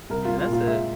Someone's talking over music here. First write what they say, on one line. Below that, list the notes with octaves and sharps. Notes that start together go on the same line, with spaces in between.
and that's a
C2 A#4
C2 F4
F4
A#2
F4
G#3 E5